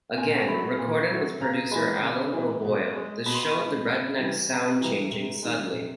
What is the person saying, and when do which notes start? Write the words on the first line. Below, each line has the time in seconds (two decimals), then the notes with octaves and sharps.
Again recorded with producer Alan O'Boyle this showed the Redneck sound changing subtly.
0.17 A#2 G#5
0.48 F#3 A3 B5
0.78 A#2
1.10 F#3 A3
1.40 C#3 A#5
1.71 E3 G#3 B5
2.02 C#3
2.33 E3 G#3
2.65 B2
2.95 G#3
3.26 B2 B5
3.34 C6
3.43 B5
3.57 G#3
3.88 C#3
4.19 E3 G3
4.50 C#3 A#5
4.81 E3 G3 A#5
5.11 C3
5.43 D#3 G#3
5.73 C3